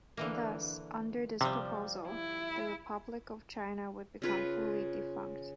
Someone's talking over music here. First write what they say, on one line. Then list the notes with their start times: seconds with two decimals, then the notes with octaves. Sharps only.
Thus, under this proposal, the Republic of China would become fully defunct.
0.17 D3 E3 A#3
1.41 C3 F3 G3
2.08 E4
4.22 C#3 F4 B4